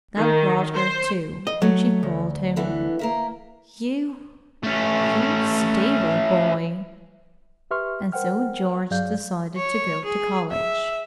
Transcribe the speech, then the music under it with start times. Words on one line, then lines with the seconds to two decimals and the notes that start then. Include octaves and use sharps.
That brought her to and she called him "You--you--stable boy." And so George decided to go to college.
0.18 D#3
0.74 C5
1.47 F2 D#5
1.62 F#3 A3 C#5
2.03 D2
2.56 D3 E3 B3
2.99 A#3 A#4 E5
4.63 A3 C#4
7.71 G4 B4 E5 C6 C#6 F6
8.12 A#4 C5 F#5 G5 F6
8.91 G2 F#3 G#4 D5 F5 G6
9.56 C#5
10.05 G#4
10.51 E5